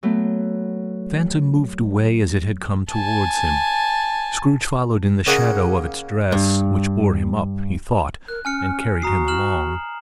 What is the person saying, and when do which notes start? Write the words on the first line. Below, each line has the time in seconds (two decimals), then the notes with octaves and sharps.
The Phantom moved away as it had come towards him. Scrooge followed in the shadow of its dress, which bore him up, he thought, and carried him along.
0.03 F#3 A3 B3
2.90 G#5 A5
5.26 C#3 A#3 C#4 D#5 F#5 D#6
6.32 G2
8.28 A#4 F#6
8.45 C#4 G#5 F6 C#7
9.02 F#4 A#5 D#6 C7
9.28 F6 E7 F#7